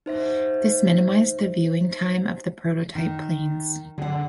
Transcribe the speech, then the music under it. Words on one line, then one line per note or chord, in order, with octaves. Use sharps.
This minimized the viewing time of the prototype planes.
D#4 C5 E5
D#3
D3 G#4 F#5